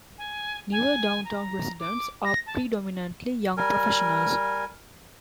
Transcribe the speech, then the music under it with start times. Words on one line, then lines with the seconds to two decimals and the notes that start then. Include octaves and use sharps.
Newer downtown residents are predominantly young professionals.
0.18 G#5
0.72 G#5
1.25 A#5
1.80 D6
2.25 A#6
2.47 A5
3.57 G3 A#4 G#5